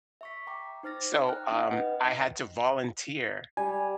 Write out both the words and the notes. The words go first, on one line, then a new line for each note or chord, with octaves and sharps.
so, um, I had to volunteer
E5 C#6 B6
G5 A#5 D6
D#4 C5 F6 A6 A#6
G5 A#5 F6 F#6
C#4 D#4 D#5 F#5
B4 D#5 G5
G3 G#5